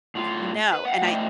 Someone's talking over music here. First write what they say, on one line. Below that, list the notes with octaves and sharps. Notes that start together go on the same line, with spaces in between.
No, and I
A2 F4
B4
F5 F#5
A3 E4 C5 D5 D#5 G5